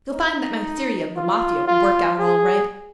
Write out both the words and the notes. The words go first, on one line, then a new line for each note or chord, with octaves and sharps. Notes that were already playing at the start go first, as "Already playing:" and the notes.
You'll find that my theory of the Mafia will work out all right.
D#4
F4
F4
G#4